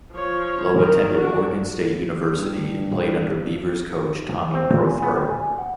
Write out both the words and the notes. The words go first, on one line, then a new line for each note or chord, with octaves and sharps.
Lowe attended Oregon State University and played under Beavers coach Tommy Prothro.
F3 C#5
D#3 A#4
D4 F#4
G2
C4
A#2
G#5
B3
G3
G#5
F#5